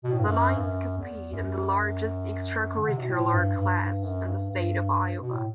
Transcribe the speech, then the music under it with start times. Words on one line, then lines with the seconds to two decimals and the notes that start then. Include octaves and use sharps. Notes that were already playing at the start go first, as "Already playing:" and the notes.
The Lions compete in the largest extra curricular class in the state of Iowa.
0.04 B2
0.12 A2
0.19 G2
0.26 F#2
0.54 G2
0.62 F#2
0.97 E2
1.33 F#2
2.77 D3
2.88 C3
2.99 B2
3.09 A2
3.32 G2
3.57 G2
3.79 G2
4.04 F#2
4.27 G2
4.50 G2
5.22 B2
5.31 A2